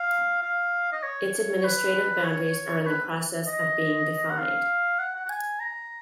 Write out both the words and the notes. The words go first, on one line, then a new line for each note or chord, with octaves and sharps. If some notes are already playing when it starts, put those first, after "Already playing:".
Its administrative boundaries are in the process of being defined.
Already playing: F5
F5
D#5
C#5
B4
C#5
B4
D#5
F#5
F5
F#5
F#5
F#5
G#5
A#5